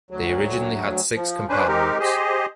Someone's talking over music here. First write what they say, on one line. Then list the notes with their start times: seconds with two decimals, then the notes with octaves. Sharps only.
They originally had six compartments.
0.11 D2 F#3
1.15 F3
1.49 C#4 D4 B4 C5
1.68 G#3 C4 D#4 G4 A#4
1.99 G4 G#4 C5 D#5